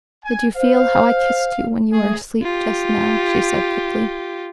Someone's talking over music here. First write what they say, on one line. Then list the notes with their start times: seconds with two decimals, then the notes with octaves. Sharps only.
"Did you feel how I kissed you when you were asleep just now?" she said thickly.
0.23 G#5
0.56 C5 F5
1.92 A3 G#4
2.42 F4 G4